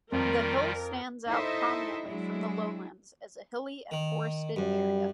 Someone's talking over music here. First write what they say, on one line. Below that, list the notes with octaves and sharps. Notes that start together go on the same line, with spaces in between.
The hill stands out prominently from the lowlands as a hilly and forested area.
F2 D#3 G3 F4 A#4
D#4 E4 A4 C5 D#5 E5
F#3 G#3 D4 E4
D#3
F#2 G3